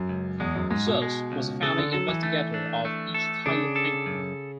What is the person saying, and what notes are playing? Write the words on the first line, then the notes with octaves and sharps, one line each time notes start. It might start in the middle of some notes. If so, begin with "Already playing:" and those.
Sars was a founding investigator of ichthyoplankton.
Already playing: F#2
C#2
E2 G#3
F#2
G#2 G#3
B2
G#3
C#2
C#3 A4
D3
F#3 A4
E3
A3
D4
A3
A4
C#3 D4
A4
F#2